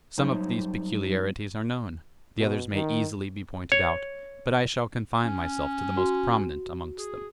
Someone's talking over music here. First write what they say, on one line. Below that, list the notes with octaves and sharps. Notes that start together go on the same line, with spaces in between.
Some of these peculiarities are known, the others may easily be pointed out; but I shall confine myself to the most prominent amongst them.
G2 F#3 D#4 C5 G5
B2
D#3
C#5
C#4
F#4
G#4